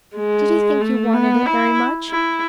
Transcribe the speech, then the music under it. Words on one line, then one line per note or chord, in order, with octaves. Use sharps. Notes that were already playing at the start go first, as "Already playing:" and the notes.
'Did he think you wanted it very much?'
G#3
A3
B3
E4
E4